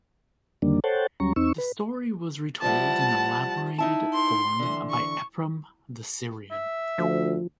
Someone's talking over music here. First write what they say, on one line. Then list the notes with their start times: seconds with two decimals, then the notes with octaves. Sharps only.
The story was retold in elaborated form by Ephrem the Syrian.
0.62 F2 D3 D#3 G3 A#3 D4
0.84 A4 C5 C#5 F#5 G5 A5
1.20 D2 F#3 G3 C#4 A#5 C#6
1.36 E2 C4 D#4 C#6 E6
1.58 B4
2.62 F3 G3 E4 F#5 A5
3.78 D#4 E4 A5
4.13 C6
4.59 D3 E3
4.91 C#6
6.51 E5
6.98 D2 F3